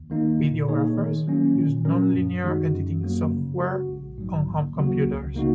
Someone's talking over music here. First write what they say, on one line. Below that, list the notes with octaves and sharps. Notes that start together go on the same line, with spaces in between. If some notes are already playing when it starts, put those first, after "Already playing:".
Videographers use non-linear editing software on home computers.
Already playing: D#2
D#3 A#3 D#4
A#2
A#3 D#4 G#4 C#5
D#3
F#3 A#3 C#4
A#2
F#3 C#4 A#4
F#2
D#3 G#3 D#4 F#4
F#2
F#3 A#3 F#4
C#3
G#3 F#4
A#1
G#2 F#3
D#2
C#3 F#3 A#3 F#4
C#2
C#3 A#3 D#4 F#4